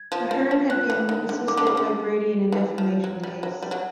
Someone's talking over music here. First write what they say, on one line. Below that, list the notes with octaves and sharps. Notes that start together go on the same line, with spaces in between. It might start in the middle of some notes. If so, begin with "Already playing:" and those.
Ahern had been assisted by Brady in a defamation case.
Already playing: G#6
F3
F3
F3
F3 F#6
E3
D#3
D3
D#3 D6
D3
C#3
D3
E3
F3
F#3
G3
F#3
G3
F#3